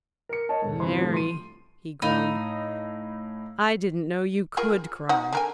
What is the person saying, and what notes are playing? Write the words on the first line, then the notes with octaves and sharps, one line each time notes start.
"Mary," he groaned, "I didn't know you COULD cry!"
A#4 C#7
A#4 C#5 D#5 A5
E1 G#2 A4
G1 C3 E3 C5 B5 C6
A2 D3 F3 G3
C6 D#7
A2 D#4 F5 B5
F4 G#4 A#4
D#4 F#5
D3 A#4 G#5